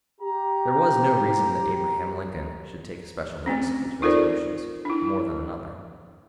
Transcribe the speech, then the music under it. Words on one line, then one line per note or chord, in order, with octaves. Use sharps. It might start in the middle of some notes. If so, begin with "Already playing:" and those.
There was no reason that Abraham Lincoln should take especial notice of these resolutions, more than another.
G4 A#5
A3 C4 C#4
D#4 F4 A4 A#4 C5 D5
D4 E4